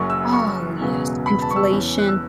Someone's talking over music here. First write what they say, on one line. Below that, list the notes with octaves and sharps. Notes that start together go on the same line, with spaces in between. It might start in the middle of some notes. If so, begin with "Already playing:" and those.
Oh, yes, inflation.
Already playing: F#1 F#2 F#3 C#6
E6
C#6
E1 E2 C#3 F#3 B3
B5
A5
C#6
E6
E2 E3 C#4
F#6
E6